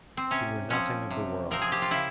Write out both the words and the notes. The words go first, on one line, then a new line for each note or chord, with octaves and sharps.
She knew nothing of the world.
C4
C3 C#4
F3 C4 C#4
C3
F3 C4 A#4
G#4
G4
F4
C#3 E4